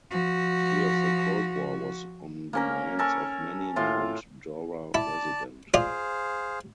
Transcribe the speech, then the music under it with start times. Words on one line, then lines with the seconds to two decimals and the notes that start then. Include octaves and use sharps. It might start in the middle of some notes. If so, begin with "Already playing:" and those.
Fear of the Cold War was on the minds of many Mount Dora resident.
0.11 F3 F#4
2.53 A#3 C#4 A#4
2.99 A4 A#4 G#5 C#6
3.76 A2 F4 F5 C6
4.94 E4 D5 A5
5.74 F4 G#4 C5 D5 F5